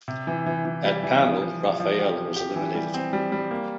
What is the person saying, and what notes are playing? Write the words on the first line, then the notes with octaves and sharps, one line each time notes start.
At panel Raphael was eliminated.
C3
E3
E3
E3
G3
E3
F3
F3
F3
F3
G4
F3
G4
E3
G3
C4
G3
G3
A#3